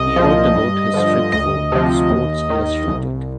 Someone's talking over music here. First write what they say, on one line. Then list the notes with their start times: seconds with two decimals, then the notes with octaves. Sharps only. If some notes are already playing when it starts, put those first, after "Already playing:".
He wrote about his trip for "Sports Illustrated".
Already playing: C2 D#5
0.16 A#2 F3
0.56 G2
0.94 D3 F3
1.32 D2 D#5
1.72 C3 F3
2.10 D#2
2.50 D#3
2.88 C2